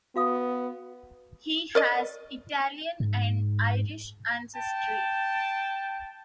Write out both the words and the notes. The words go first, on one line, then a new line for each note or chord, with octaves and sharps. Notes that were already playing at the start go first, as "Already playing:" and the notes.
He has Italian and Irish ancestry.
B3 F#4 F5 D#6
A#4 D5 D#5
G#2
G5 A5